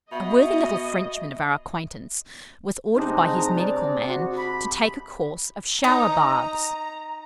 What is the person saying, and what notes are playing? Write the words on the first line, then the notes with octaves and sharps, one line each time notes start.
A worthy little Frenchman of our acquaintance was ordered by his medical man to take a course of shower-baths.
B2 D#5 E5
C3 G#3 D4 D#4
A#5
D5
F#4
B5
D#4 A#5